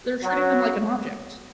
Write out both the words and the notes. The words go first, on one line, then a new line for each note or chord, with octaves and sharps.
They're treating them like an object.
F#3